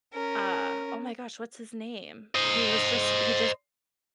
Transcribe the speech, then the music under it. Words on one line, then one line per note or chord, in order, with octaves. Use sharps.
uh oh my gosh, what's his name? He was just he just
C#4 A#4
C5 D#5